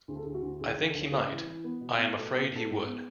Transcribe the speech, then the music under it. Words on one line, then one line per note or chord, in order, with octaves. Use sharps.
I think he might — I am afraid he would.
D2 G#4
A4
G#4
D2
F#4
D2
D2 G#4
D2
A4
D2
C#5
C#3 B4
E3
E3
B3
B2
B3
B2 A4
B2
B2
A4
G#2 G#4
B3